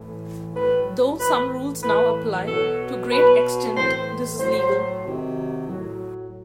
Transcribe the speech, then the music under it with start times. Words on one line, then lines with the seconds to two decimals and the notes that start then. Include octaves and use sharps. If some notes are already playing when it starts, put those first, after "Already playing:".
Though some rules now apply, to a great extent this is legal.
Already playing: A2 E3
0.55 A2 F#3 B4
1.19 A2 E3 B4
1.83 A2 E3 B4
2.47 B2 F#3 A4
3.11 B2 F#3 B4
3.75 A2 E3 C5
4.39 A2 F#3 C5
5.03 C3 D#3 F#3
5.67 A2 F#3